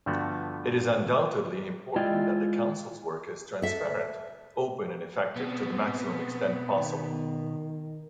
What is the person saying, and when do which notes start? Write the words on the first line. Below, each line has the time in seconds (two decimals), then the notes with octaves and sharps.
It is undoubtedly important that the Council’s work is transparent, open and effective to the maximum extent possible.
0.06 G2 D3 F3 A3 B3 F#4
1.96 G#3 E4 F4 D5 D#5 G5
3.62 A4 E5
5.36 B2 B3 C4
6.75 D#3